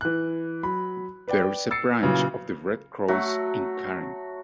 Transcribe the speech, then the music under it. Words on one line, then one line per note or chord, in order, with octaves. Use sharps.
There is a branch of the Red Cross in Karen.
E3 F#6
F#3 B5
B4 D5 G5
E6 A6 C7 C#7
A#2 C#3 F#3 B3 E4
F#3 A3 F#4